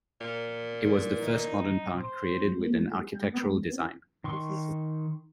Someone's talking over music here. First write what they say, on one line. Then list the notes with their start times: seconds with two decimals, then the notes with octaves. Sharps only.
It was the first modern park, created with an architectural design.
0.21 A#2
1.21 D#4
1.95 C5
4.24 D#3 C6 C#6